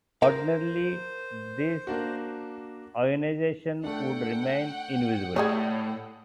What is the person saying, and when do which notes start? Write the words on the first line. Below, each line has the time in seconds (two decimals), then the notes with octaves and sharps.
Ordinarily this ionisation would remain invisible.
0.22 A#4 C5 F5
1.87 A#3 D4 F#4
3.84 A3 D4 F#5 G5
5.36 A2 G3 G#4 C#5 G#5 D#6 G#6